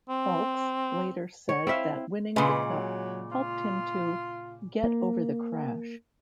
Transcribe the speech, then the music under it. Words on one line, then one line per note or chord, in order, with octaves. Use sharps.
Foulkes later said that winning the Cup helped him to "get over the crash".
C4
C#5
C4 E4 E5 F5
A#2 C#3 G#3 B4
F#3
F4
A#3